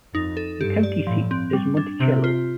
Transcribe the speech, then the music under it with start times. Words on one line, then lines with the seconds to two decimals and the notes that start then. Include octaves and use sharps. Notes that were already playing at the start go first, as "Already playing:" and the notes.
The county seat is Monticello.
0.14 F2 D#4
0.37 A4
0.61 G2 G4
0.83 D5
1.07 A2 F3
1.31 C4
1.53 G3
1.77 D4
2.00 C3 C4
2.24 F4